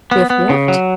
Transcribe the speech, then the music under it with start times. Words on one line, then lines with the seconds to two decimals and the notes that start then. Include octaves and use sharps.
"With what?"
0.11 B3
0.30 B3
0.49 C#3
0.68 F#3